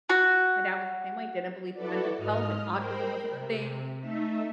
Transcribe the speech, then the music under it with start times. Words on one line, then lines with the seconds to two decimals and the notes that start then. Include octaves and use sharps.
My dad was the same way, didn't believe in mental health, like, autism wasn't a thing.
0.09 F#4
1.73 E4 F#4 A4 B4 D5
2.17 G#2 D#5 D#6 F6
2.76 A#4 C5 G5 B5
3.30 C3
4.00 A3 D#4 E5